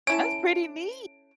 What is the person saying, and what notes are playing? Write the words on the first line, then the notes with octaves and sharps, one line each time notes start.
That's pretty neat.
C#4 E4 A4 D7